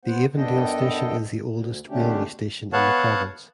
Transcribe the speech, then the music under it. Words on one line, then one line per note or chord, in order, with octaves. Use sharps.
The Avondale station is the oldest railway station in the province.
G2 B3 C5 F#5
F#2 B3 D4 A4 D#5 G5
D2
B2 D3 A3 C#4 D4 G4
B3 C#5 F5 F#5 A5